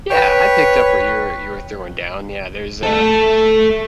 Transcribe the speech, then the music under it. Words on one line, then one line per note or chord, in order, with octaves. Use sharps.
yeah, I picked up what you're you were throwing down, yeah, there's a
B4 C#5 G5
A3 A4